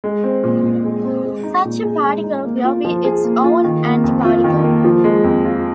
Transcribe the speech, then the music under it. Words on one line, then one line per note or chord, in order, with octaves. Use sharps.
Such a particle will be its own antiparticle.
G#3
C4
A#2
A#2
G#3
C4
G#3
D#4
A#2
G#4
G#3
D#4
A#3
F4
F3
G#4
A#3
F4
D#3
A#3
F2
F4
D#3
A#3
F3
G#3
F2
F4